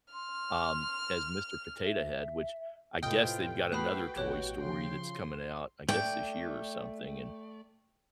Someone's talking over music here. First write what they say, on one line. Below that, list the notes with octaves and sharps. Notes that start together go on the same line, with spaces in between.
um, as Mr. Potato Head, which I guess they've got another Toy Story that's coming out, I guess this year or something, and
C6 F6
E5
A2 C3 F4 B4 D#5 G5 D#6 F6
A3 F#4 B4 B5 D#6 F#6 C7
A1 B2 F#4 G4 C#5 F#6
C#3 F3 C6
A3 D5 G5